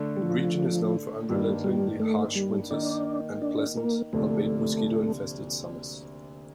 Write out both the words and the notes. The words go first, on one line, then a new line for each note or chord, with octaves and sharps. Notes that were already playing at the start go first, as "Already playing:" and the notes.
The region is known for unrelentingly harsh winters, and pleasant, albeit mosquito-infested summers.
Already playing: D3 A3 D4
G3
F3
G2 D#3 G3 A#3 D4
G3
A3
G3
D#3 A#3 D4 D#4
D4
A#3
D2 C3 F3 A3 A#3 D4